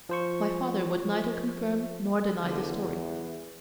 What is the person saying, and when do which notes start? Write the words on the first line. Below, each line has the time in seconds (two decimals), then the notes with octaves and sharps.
My father would neither confirm nor deny the story.
0.09 F3 C5 C#6
2.40 E2 D3
2.86 E3